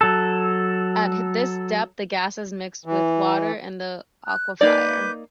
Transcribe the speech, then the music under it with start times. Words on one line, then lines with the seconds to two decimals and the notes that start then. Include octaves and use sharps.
At this depth, the gases mixed with water in the aquifer.
0.01 F#3 A4
2.85 E3
4.24 F#6
4.61 A#3 D#4 B4 D5 D6 G6